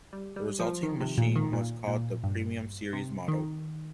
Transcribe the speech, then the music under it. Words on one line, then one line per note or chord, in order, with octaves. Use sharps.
The resulting machine was called the "Premium Series" model.
G3
G3
F3
D#3
C3
A#2
D#3
A#2
A#2
G2
C3
D#3